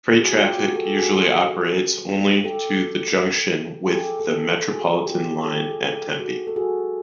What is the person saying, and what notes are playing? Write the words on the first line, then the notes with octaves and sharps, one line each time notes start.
Freight traffic usually operates only to the junction with the Metropolitan line at Tempe.
F#4 G#4
F4 G4
F#4 G#4
G#4
G4 A4
F#4 G#4
G4 A4
G#4
G4 A4
G4 A4
F#4 G#4
F4 G4
G4 A4
G#4
G4 A4
F#4 G#4
A4
F#4 G#4